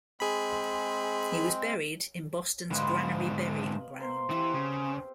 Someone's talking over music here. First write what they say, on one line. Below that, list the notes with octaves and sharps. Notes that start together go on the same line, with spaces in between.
He was buried in Boston's Granary Burying Ground.
G#3 C4 G#4 B5
G#2 D3 B3 F4 D#5
A#4 C5 C6
E3 C4 G4
C#3